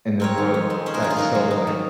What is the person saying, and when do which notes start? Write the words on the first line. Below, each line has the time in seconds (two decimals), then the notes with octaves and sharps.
In a world that's so, like
0.20 C4 A#4 C#5
0.38 D#3
0.54 F2
0.70 G#3
0.86 C#4 G#4 C5
0.94 F#4 A#4
1.00 D#3 F4 G#4
1.10 F4 G#4
1.17 G#2 F#4 A#4
1.35 F#3
1.51 D#4
1.67 F#3